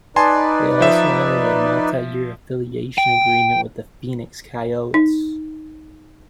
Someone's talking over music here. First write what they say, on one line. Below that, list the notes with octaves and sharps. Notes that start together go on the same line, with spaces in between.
They also entered a multi-year affiliation agreement with the Phoenix Coyotes.
D#4 B4 D5 G#5 A5 C6
F3 E5
G5
D#4